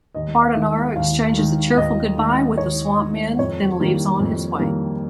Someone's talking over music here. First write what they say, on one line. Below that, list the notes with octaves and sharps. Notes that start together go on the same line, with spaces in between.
Bardonaro exchanges a cheerful goodbye with the Swampmen, then leaves on his way.
D#2 D#5
F5
D#3 G#3
D#2 F5
D#3 G#3
D#2 D#5
D#3 G#3
D#2 C#5
D#3 G#3
F2 C#5
D#3 G3 A#3
F2
D#3 G3 A#3